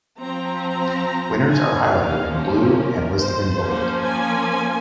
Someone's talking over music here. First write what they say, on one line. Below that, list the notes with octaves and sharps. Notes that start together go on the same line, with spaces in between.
Winners are highlighted in blue and listed in bold.
F3 C4 A#5
G#5
F3 A#3 C#4 F5
C5
A#4
C5
F3 A#3 C#4
G#5